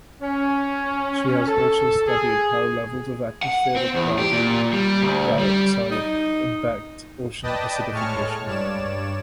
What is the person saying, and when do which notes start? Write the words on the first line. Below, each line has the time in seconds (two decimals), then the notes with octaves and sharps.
She has also studied how levels of atmospheric carbon dioxide impact ocean acidification.
0.23 C#4
1.47 A4
2.08 G#4
3.43 F#5
3.76 C4
3.94 E2
4.19 G4
4.32 A#2
4.73 G3
5.02 D2
5.39 G3
5.91 D#4
7.43 B4 D5 D#5 G5 A5 D#6
7.92 A2 G#3 C#5 A5 C#6 F6
8.45 G2 C#5 D5 E7